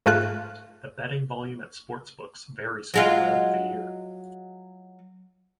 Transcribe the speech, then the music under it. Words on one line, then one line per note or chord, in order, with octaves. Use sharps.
The betting volume at sportsbooks varies throughout the year.
G#2 A3 F4 F#6
F#3 G#3 F4